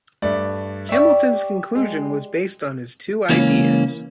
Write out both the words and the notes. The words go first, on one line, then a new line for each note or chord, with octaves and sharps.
Hamilton's conclusion was based on his two ideas.
G2 A3 D5
G4 D5 E5 C#6
G#3
C#2 E3 A#3 C#4